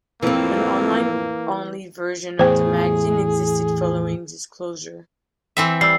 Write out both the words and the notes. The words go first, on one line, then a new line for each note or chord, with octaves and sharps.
An online only version of the magazine existed following this closure.
F2 A2 E3 A#3 C4
E2 A2 G#4 C5 G5
E3 C4 E5
G3 E6 C7